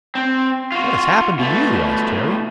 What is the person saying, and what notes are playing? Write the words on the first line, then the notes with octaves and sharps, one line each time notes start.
"What has happened to you?" asked Harry.
C4
F4 F#4
B2 A3